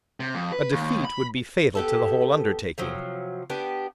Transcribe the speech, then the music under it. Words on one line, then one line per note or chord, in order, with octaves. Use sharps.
A defeat would be fatal to the whole undertaking.
C3
F2
B4
D#2
B5
B3 G4 A4
C3 F3 F#3
B3 D4 G4